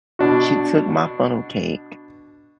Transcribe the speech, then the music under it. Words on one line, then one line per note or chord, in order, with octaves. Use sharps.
She took my funnel cake,
B2 D4 F#4